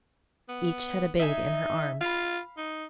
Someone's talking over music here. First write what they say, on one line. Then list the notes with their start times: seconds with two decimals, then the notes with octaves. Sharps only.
Each had a babe in her arms.
0.49 B3
1.19 D#4 E5 G#5
2.01 F4 F5 B5
2.57 D#4